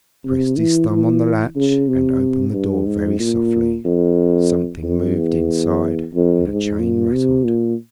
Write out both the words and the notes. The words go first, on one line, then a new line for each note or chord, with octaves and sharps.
He pressed his thumb on the latch and opened the door very softly. Something moved inside and a chain rattled.
C3
E3
E3
C#3
C3
G2
G#2
A#2
F2
F2
E2
F2
G#2
A#2
C3
A#2